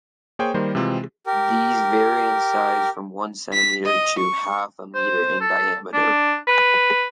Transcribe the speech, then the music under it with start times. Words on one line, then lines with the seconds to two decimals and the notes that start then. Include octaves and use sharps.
These vary in size from one centimetre to half a meter in diameter.
0.39 A#3 G#4 C5 C#5 G5
0.54 D#3 G3 A#3 C5
0.75 C3 E3 G#3 C4 F4
1.27 G4 A#4
3.53 B6
3.86 D#5
4.18 C#6
4.94 C5
5.41 A4
5.93 D4
6.47 B4